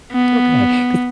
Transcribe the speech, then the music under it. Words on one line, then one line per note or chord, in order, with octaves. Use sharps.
Okay, 'cause
B3